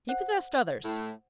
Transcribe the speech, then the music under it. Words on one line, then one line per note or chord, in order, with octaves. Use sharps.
He possessed others.
C5 F#5
A2